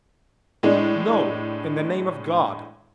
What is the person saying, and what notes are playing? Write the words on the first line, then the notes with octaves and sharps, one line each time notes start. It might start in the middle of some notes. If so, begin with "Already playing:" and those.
No, in the name of God!
A2 G#3 D4